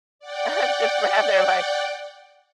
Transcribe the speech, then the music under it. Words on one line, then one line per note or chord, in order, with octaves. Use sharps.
I'm just rather, like,
D5 F#5 G5